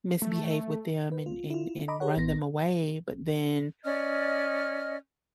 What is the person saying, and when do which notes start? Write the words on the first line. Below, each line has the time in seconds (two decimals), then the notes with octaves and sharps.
misbehave with them and and and run them away, but then
0.22 A3
1.12 B4
1.26 F4
1.50 E4 F4
1.88 D#5 A#5 B5 D6
2.00 G4 G#4 A#4 C#5 F#5
2.17 A1 B3 A#6
3.84 C#4 D5 D#5 F6